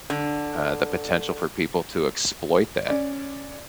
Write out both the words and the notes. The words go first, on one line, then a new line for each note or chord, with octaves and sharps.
uh, the potential for people to exploit that,
D3
C#4 D5